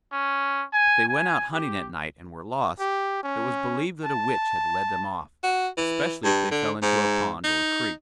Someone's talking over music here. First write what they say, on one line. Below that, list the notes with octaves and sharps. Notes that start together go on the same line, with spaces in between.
If they went out hunting at night and were lost, it was believed that a witch had led them off, especially if they fell into a pond or creek.
C#4
G#5
G#5
G4
G4
C#4
A5
F#4
E3
G2
D3
G#2
D#4